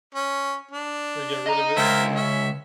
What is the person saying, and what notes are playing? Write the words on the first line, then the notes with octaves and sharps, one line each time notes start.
Gonna get rid of it soon.
C#4
D4
D#5 A#5
C#2 A#4 C5 E5
C#4 E5